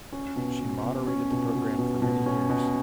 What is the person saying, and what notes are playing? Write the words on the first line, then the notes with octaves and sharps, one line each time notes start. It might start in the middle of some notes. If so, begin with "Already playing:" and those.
She moderated the programme for many years.
C#4
B2
B2
B2
C#4
B2
B2
B2
B2
C#4
B2